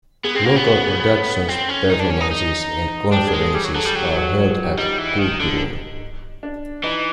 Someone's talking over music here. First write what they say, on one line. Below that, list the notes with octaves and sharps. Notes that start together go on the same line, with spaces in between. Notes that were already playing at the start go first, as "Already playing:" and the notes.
Local productions, performances and conferences are held at "Kulturum".
B3 G#4
C4 G#4
A#3 F#4
B3
F#4
G#4
G#4
A4
C4
C#4
D#4
D4
C#4
D#4
D#4
D4 G4
G#4
G#3
A4
G3 G#4
F#3
F#3 A4
G3
F#3 G4
F#4
F4
G#4
G4
G3 D#4
E3
D#3
D3
D4
E3 D#4